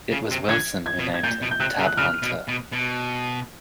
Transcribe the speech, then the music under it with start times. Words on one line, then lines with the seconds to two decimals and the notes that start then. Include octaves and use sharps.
It was Willson who named him "Tab Hunter".
0.11 C#3
0.31 C3
0.49 D3 G#6
0.86 G#6
0.99 B2
1.14 G#6
1.23 A#2 G6
1.42 B2
1.51 G6
1.60 C3 F#6
1.79 C#3
1.86 F#6
1.97 C#3 F6
2.22 B2
2.48 B2
2.72 B2